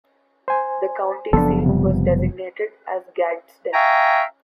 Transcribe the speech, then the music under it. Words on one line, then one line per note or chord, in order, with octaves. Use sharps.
The county seat was designated as Gadsden.
C5 G#5
F#1 F3 B3 D4 A4
C3 G3
E5 F5 G5 G#5 A#5 C#6